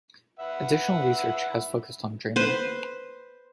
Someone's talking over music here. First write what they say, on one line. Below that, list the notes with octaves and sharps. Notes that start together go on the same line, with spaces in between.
Additional research has focused on dreaming.
B4 E5 F#5
B4 C5